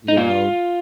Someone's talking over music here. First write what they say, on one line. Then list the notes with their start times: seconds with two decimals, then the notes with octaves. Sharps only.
you know
0.08 D#4
0.17 A#2 F4